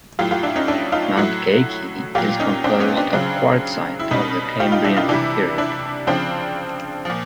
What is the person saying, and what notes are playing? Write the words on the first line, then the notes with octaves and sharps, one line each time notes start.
Mount Geikie is composed of quartzite of the Cambrian period.
A2 F#3 F4 G4
F4 G4
D4 E4
C#4 D#4
D4 E4
D#4 F4
A2 F#3 E4 F#4
A#2 F#3 F4 G4
C#4 D#4
C4 D4
B3 C#4
C4 D4
C#3 F#3
E4
B2 G3 C#4 D#4
F4 G4
D#4 F4
D4 E4
D#4 F4
C3 E3 G3 D4 E4
D4 E4
C#3 F3 C4 D4
A#2 F3